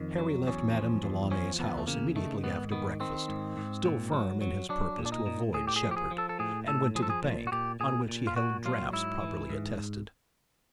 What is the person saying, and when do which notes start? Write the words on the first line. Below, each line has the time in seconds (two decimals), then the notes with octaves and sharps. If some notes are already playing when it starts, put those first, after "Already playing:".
Harry left Madame Delaunay's house immediately after breakfast, still firm in his purpose to avoid Shepard, and went to the bank, on which he held drafts properly attested.
Already playing: F2 D#3
0.18 F#3
0.47 E2 C#4
0.75 F3
1.03 E2
1.31 F3 C#4
1.59 E2 B3
1.77 A3
1.87 C#3 A#3
2.15 D#3 A3
2.44 G#2 B3
2.72 D#3 B3
3.00 D#3 C4
3.28 G#2
3.57 G#2
3.85 A#2
4.13 F#3
4.41 F#3
4.69 F#3 D4
4.98 A#2
5.06 D4
5.12 D#4
5.26 A#2
5.54 A2 G#4
5.67 G4
5.76 G#4
5.83 F3
5.91 G4
5.97 G#4
6.11 F3
6.18 A4
6.29 A4
6.39 A2 G#4
6.67 A2 A4
6.95 F3 G#4
7.03 A4
7.10 G#4
7.24 A#2
7.47 F#4
7.52 A#2 G4
7.80 A#2 G#4
8.09 A#2
8.27 F4
8.36 A#2 F#4
8.65 F#3 F4
8.93 G#2 E4
9.21 E3
9.50 G#2